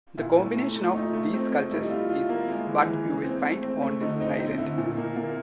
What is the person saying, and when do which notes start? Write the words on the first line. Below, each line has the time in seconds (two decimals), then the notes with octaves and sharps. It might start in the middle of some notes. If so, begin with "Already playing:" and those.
The combination of these cultures is what you will find on this island.
0.17 A#2 E4
0.37 A3
0.56 A3
0.76 A3
0.94 D#4 F4
1.13 A3
1.33 C4
1.52 A3
1.71 G3 E4
1.80 D#4
1.89 E4 F4
2.09 F4
2.29 A#3
2.48 G#3
2.67 E3
2.87 E3
3.05 G#3
3.24 C4
3.43 A3
3.62 C4
3.82 A3
4.01 D3 D#4
4.20 C4 D#4
4.39 C4 D#4
4.58 D3 E4
4.78 A#2
4.97 A#3
5.16 A#3